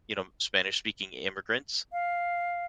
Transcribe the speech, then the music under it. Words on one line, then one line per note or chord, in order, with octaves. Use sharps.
you know, Spanish-speaking immigrants,
F5